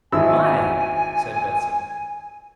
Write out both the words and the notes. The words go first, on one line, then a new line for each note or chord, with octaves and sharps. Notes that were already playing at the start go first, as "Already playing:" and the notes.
"Why?" said Betsy.
G#1 E4 G#5 E6